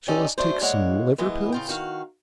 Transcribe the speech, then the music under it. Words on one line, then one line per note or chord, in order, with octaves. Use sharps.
Shall us take some liver pills?'
A#2 C#4 D#4 G4 A4 D5
F#2 A3 D4 C5
E3 G#3 A#3 C#5 F#5
E3 G#3 A#3 B3
C#3 F4 G5
D#3 F#4 F5